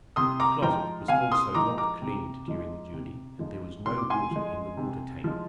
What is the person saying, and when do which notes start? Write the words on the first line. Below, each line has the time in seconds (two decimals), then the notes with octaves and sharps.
The closet was also not cleaned during the journey and there was no water in the water tank.
0.16 C3 C6 D#6
0.40 A#5 D6
0.62 F3 G#3 D#4 G5 A#5
1.08 C3 F5 G#5
1.31 C6 D#6
1.55 F3 G#3 D#4 A#5 D6
1.78 A#5 D6
2.02 C3
2.48 F3 G#3 D#4
2.94 C3
3.39 F3 G#3 D#4
3.86 C3 C6
3.98 D6
4.10 G#5 C6
4.31 F3 G#3
4.77 C3
5.24 F3 G#3